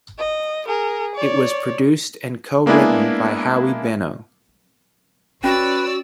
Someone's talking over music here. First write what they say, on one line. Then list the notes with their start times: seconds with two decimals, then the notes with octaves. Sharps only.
It was produced and co-written by Howie Beno.
0.18 D#5
0.68 G#4 A#4
1.15 C#5 D5
2.66 G#3 A#3 B3 D4 E4 G#4
5.44 C#4 F#4 B4 C#5 D5 E6